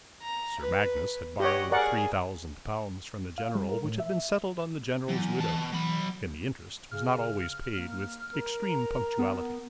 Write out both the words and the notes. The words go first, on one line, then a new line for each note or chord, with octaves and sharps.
Sir Magnus had borrowed three thousand pounds from the general which had been settled on the general's widow, and the interest was not always paid with extreme punctuality.
A#5
B4
G4 C#5 D#5 F#5
G#4 A#4 D5 F#5
F5
G3
A#4
A2
E5
E2 F#3
B2 E3 A5
E3 F#3 B5
C#3 F6
A#3
A#4
A#5
B3